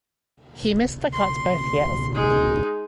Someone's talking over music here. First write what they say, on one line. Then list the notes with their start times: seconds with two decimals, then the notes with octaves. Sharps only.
He missed the cut both years.
1.12 C6
2.14 G#3 D#4